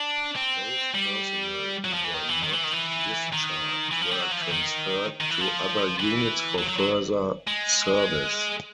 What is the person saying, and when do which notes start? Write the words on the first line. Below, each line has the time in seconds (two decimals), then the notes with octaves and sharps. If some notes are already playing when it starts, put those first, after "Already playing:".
Those personnel who were not discharged were transferred to other units for further service.
Already playing: D4
0.36 C4
0.95 G3
1.85 F#3
1.93 F3
2.04 E3
2.14 D#3
2.29 E3
2.43 D#3
2.53 E3
2.63 D#3
2.73 E3
3.33 D#3
3.92 E3
4.01 F3
4.11 G3
4.21 F#3
4.31 F3
4.42 E3
4.51 D#3
5.21 D#3
5.30 E3
5.41 F3
6.00 E3
6.59 F#3
6.69 F#3
6.79 F#3
7.48 G#3